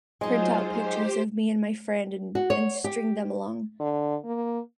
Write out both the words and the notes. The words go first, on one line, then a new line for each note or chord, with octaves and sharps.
print out pictures of me and my friend and and string them along
F#3 G#3 D#4 F4 G#4 C5
G4 C5
F#4
C#5
G4
D3
A#3